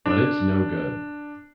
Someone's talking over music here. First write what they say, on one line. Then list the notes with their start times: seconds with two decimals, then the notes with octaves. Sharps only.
But it's no good.
0.06 D4